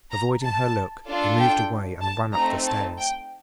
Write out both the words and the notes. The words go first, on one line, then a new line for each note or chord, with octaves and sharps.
Avoiding her look, he moved away and ran up the stairs.
A#5
A5
D4 F4 A4
G5
A5
A3 C4 D#4 A#5
A5
G5